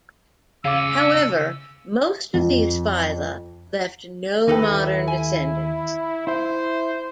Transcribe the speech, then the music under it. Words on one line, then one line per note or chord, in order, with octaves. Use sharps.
However most of these phyla left no modern descendants.
C#3 C#4 F4 F5 D6 E6
F2
D#2 D#4 E4 A4 B4 G5
G#5
E4 C5 E5